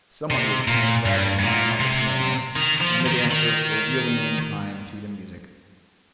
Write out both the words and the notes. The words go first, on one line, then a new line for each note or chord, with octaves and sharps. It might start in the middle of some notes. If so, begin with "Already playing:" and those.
Some one was playing rag-time on the piano, and the dancers were wheeling in time to the music.
C3
A#2
G2
G2
A#2
C3
D#3
F3
D#3
D#3